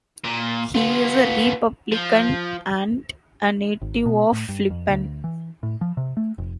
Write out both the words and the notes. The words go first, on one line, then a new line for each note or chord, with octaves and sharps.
He is a Republican and a native of Flippin.
A#2
B3 F4
F3
G#1
B2
A2
G2
F2
D2
E3
A2
F3
C3
A3
F1